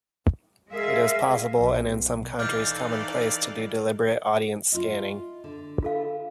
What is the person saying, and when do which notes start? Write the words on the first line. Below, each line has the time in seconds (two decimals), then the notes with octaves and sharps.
It is possible, and in some countries commonplace, to do deliberate audience scanning.
0.71 G#3 G#4 A#4 E5 F5
1.56 B1
2.39 E3 D#4 A4 D5 F5 D6 F6 G6
4.72 E4 F4 D#5
5.44 D3
5.83 F4 A4 F5